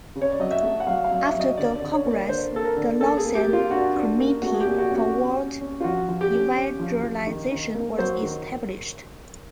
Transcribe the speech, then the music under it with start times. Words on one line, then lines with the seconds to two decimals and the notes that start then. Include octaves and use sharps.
After the congress, the Lausanne Committee for World Evangelization was established.
0.16 C#3
0.21 C#5
0.31 D5
0.40 F#3 D#5
0.51 E5
0.63 A3
0.80 F#5
0.86 F#3 F5
1.04 F5
1.11 F#3
1.22 E5
1.34 F#3
1.40 D#5
1.57 D3 D5
1.76 D5
1.82 D3
1.93 C#5
2.05 A#3
2.11 D5
2.29 D3 C5
2.52 A#3 A4
2.65 A#4
2.77 D3
3.00 A#3 A4
3.17 G#4
3.24 A#3
3.35 G4
3.48 A#3
3.53 F4
3.71 D4 F#4
3.96 D4
4.18 A#3
4.42 A3 F#4
4.54 G#4
4.61 G4
4.67 A#2
4.78 F#4
4.90 C#4 F#4
5.13 C#4
5.38 C#4
5.61 C#4
5.80 F4
5.84 F3 F#4
6.09 F3
6.21 G4
6.33 C#4
6.56 C#4
6.80 F3
7.03 F3
7.27 D#3
7.51 D#3
7.75 A#3
7.98 F#3 C5
8.22 D#3